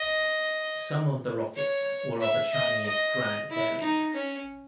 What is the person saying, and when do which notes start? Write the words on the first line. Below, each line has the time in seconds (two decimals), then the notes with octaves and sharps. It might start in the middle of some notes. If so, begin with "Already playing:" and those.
Some of the rockets were of a Chinese Grad variant.
Already playing: D#5
1.56 C#5
2.21 E5
2.53 D#5
2.85 D#5
3.50 E4
3.81 D#4
4.14 C#4